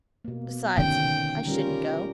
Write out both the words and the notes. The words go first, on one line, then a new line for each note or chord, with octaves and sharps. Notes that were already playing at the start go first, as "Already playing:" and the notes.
Besides, I shouldn't go.
B2 A#3
D3 D#3 C#4 G5
G3 C#4 F4 A#4